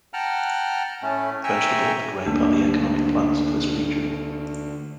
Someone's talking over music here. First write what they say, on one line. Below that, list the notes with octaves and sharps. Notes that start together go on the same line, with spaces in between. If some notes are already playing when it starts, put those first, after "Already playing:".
Vegetable and rape are the economic plants of this region.
F#5 G5 A5 A#5 F6 F#6
A2 A3 C#4
E5 G5 G#5 A#5 C#6 E6
D2 A#3 D4